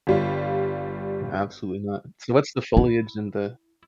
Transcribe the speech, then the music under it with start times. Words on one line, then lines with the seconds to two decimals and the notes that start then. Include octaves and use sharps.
Absolutely not. So, what's the foliage and the
0.07 G1 G3 F4
2.77 E4